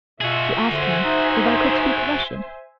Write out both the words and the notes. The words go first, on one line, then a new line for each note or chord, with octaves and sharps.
She asked me if I could speak Russian.
B2 F4 F#4 G#4 E5
D3 C5 E5 G#5
D#4